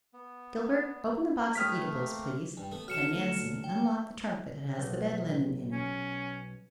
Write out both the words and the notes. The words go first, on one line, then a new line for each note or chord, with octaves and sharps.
Gilbert, open the box of eatables, please; and, Nancy, unlock the trunk that has the bed linen in it.
B3
A3 G4 B4 C#5 D#6 F6 B6
A#3 C4
G2
A3 B3
F#3 A3 F6 C#7 E7
D2
G5
B1
C#4